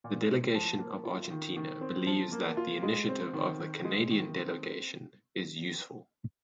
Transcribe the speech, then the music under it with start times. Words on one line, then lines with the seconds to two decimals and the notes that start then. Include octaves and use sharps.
The delegation of Argentina believes that the initiative of the Canadian delegation is useful.
0.04 A#2
0.29 G#3
0.55 F3
0.80 A#3
1.05 F4
1.30 D#3
1.56 D#3
1.81 C4
2.07 F3
2.32 A#3
2.57 F4
2.83 G#3
3.09 C4
3.33 D#3
3.59 D#3
3.85 G#3
4.10 D#3
4.35 C4